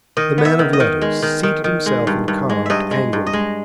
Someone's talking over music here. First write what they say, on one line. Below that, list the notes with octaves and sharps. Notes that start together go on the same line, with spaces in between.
The man of letters seated himself and carved angrily.
D#3 D#5
B3
E5
D#3
D#5
D#3
G#3
D#3
D#3
D#3
G#3
G2
G2
G#3
G2 D#5 E5
G#3
G2
D#5
G#3